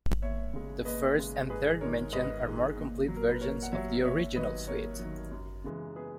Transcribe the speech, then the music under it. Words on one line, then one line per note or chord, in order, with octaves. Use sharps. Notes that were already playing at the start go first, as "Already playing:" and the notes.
The first and third mentioned are more complete versions of the original suite.
D#2 C#5 E5
C#3 G#3
D#2 B4 D#5
C#3 G#3
G#2 G#4 B4
D#3 G#3 A#4 C#5
G#2 B4 D#5
D#3 G#3
A#2
F#3
A#4
B4
A#2 A#4 C#5
F#5
F#3 C#5 E5
D#2 C#5 E5
D#3 F#3 B4 D#5
D#2 A#4 C#5
D#3 F#3
F#2
C#3 E3 G#3
G#4 B4